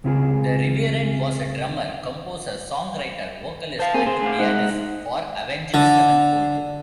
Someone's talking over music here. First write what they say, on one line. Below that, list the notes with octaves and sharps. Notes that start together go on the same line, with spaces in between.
The Reverend was a drummer, composer, songwriter, vocalist and pianist for Avenged Sevenfold.
C#2 C#3 C4 E4 F4 G#4
C5 F5 A5
A#3 C4 G#4 G#5
C4 G#4 C5
A3 C4 F5
C2 G#3 D#4 F#5
D3